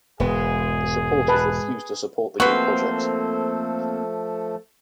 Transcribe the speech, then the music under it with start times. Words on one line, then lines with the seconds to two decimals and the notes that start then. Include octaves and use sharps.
The supporters refused to support the new project.
0.20 E1 G#2 G#3 B3 G#4
1.28 B4 A5
2.40 F3 A3 A#3 C4 F#4 A4 B4 C5